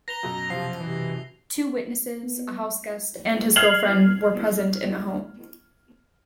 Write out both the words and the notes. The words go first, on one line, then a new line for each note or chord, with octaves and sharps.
Two witnesses, a house guest and his girlfriend were present in the home.
B4 A#5 A#6 F7 G7
F#2 B2
C3 F3 C7
C3 E3
B3
F6 G#6 C7 F7 F#7